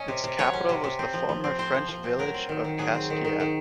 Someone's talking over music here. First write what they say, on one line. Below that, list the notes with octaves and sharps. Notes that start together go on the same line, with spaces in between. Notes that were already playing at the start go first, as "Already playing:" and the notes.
Its capital was the former French village of Kaskakia.
Already playing: C#4 D#5
C3
C3
F#3 C#5
C#4
C3
C3
C4
F3
F3
C4
C4 C5
F3
F3
C4
F#3 A#4
C4
D#3
D#3
F#3 G#4
C4
D#3
D#3
D#3